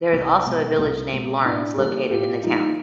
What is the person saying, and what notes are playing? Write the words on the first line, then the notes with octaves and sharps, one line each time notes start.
There is also a village named Laurens, located in the town.
C2
B2 G#3
C2
B2 G#3
A2 D4 E4
E3 G3 A#3 G4 A4
A2 F4 G4
E3 G3 A#3 D#4 F4